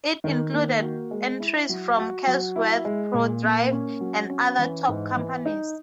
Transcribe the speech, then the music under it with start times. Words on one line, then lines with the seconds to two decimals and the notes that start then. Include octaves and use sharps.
It included entries from Cosworth, Prodrive, and other top companies.
0.24 D#3
0.53 A#3
0.82 F#4
1.11 G#3
1.40 E4
1.69 F#3
1.98 F#4
2.27 F#3
2.56 E4
2.85 G#3
3.14 A#2
3.43 A#3
3.72 C#4
4.01 F#3
4.30 C#4
4.59 E3
4.88 G#2
5.17 E3
5.46 D#4